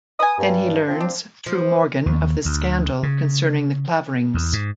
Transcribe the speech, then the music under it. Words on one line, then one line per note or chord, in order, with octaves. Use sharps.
Then he learns, through Morgan, of the scandal concerning the Claverings.
B4 G#5 D#6
G2
F3 C4
D4
F3
D#2
D2
C#3
E2
G#2